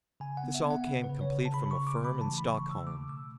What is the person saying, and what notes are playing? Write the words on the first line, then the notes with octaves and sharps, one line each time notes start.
This all came complete from a firm in Stockholm.
C#3 G#5
F#5
B3
E5
B3
F#5
C#3
B4
C#3
C#5
C#3
A5
C#3 B5
C#6
C#3
D6
A3
B5
E3 A5
B5
C#3
C#6
C#3
E6
A3 D6
B2 E6